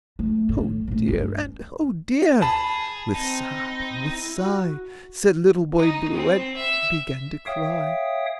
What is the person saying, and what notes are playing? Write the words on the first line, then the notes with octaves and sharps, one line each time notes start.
"Oh dear! and oh dear!" with sob and with sigh, Said Little Boy Blue, and began to cry.
A3
A2
A#1 A3
G2 C#4
G#4 A5 B5
C4 D#4
E4
F#4
D#4
C4
E5
C#5 E5 F5 G5 D#6